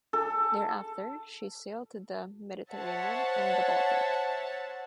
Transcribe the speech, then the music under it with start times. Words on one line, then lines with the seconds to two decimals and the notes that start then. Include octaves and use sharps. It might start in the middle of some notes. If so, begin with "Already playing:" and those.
Thereafter she sailed to the Mediterranean and the Baltic.
0.13 A4
2.72 C5 C#5 E5 F#5 A5